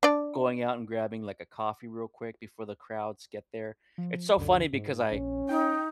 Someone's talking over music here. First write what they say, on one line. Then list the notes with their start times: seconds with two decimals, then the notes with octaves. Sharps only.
going out and grabbing like a coffee real quick before the crowds get there. It's so funny because I
0.03 D4 D5
3.98 F3
4.37 C#2 F#2 D3
4.73 G#2
5.12 A#1 C#4
5.49 D#4 G5